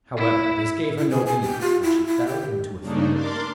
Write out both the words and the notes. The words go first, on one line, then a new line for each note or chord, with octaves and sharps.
However, this gave her no ease, for she fell into a fit.
E4
E4
G#4
G#5
G4
F4
E4
E4
G4
G2 C#3 A3 A#3 D4 D#4
D4 A#4 D5 C6 D6